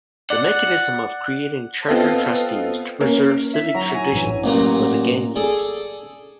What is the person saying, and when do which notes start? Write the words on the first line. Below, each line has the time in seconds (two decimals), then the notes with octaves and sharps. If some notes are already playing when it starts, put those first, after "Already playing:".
The mechanism of creating charter trustees to preserve civic traditions was again used.
0.30 D5 F#5
1.88 B3 C4 F4 A4 D#5
3.01 A#3 C#4
3.54 E4 E5
3.75 F#3 A#5
3.94 G#5
4.12 A1 G2 E3
4.44 A1 A#2 F#3 A#5
5.36 G#4 A4 D5